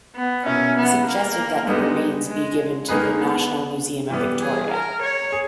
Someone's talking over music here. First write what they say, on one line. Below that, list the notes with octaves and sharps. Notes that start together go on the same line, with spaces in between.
He suggested that the remains be given to the National Museum of Victoria.
B3
B2 A#3 C#4 E4
B3
A#3
G3 G#3 B3 D#4
G#3
D#3 G#3 A#3 D#4 G#4 B4
B3
E3 G3 B3
G#4
A#4
C#5
G#4